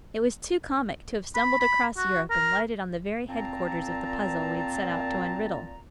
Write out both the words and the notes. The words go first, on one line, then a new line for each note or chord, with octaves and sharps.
It was too comic to have stumbled across Europe and lighted on the very headquarters of the puzzle we had set out to unriddle.
B5
B5
F#4
A#4
A#2 C4 A5 A#5